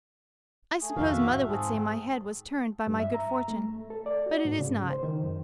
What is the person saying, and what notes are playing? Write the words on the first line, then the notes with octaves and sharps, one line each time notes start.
I suppose mother would say my head was turned by my good fortune, but it is not.
A3 G#4
B1 F2 D#3 F#4 E5 F5
G#2
C4 G#4 A4
G2
E5
A#5
A3
A4
D5
F#4
G#2
C#3
C5
D#3
F#2